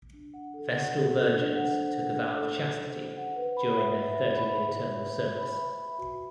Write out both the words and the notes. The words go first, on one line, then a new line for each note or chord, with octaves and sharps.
Vestal Virgins took a vow of chastity during their thirty-year term of service.
D4
F#5
A4
F#5
A4
A4
D4
F#5
C5
F#5
F#5
A4
D4
C5
C5
F#5
B4
B5
E5
E5
E5
B5
E5
B4
B4
E5
B5
E5
B5
F#4